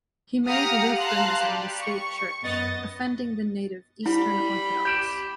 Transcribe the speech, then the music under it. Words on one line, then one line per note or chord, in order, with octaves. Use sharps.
He made Lutheranism the state Church, offending the native Eastern Orthodox.
G4 F5 F#5 A#5 D#6 F6
F5 A5 A#5 C6 F#6
G3 G4
C#6 C#7
F#2 B3 D#5 A6
G3 E4 B5
G4 G6 D7 E7